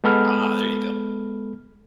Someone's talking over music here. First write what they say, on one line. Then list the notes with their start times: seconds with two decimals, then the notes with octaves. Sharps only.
Ah, there you
0.04 G#3 B3 A4 B5 F6